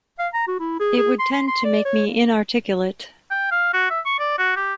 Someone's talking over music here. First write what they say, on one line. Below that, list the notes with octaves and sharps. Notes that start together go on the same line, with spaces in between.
It would tend to make me inarticulate.
F5
A#5
F#4
E4
G#4
G#4
C6
C6
C6
D5
C#5
A#3
G5
F5
F#4
E5
C#6
D5
F#4
G4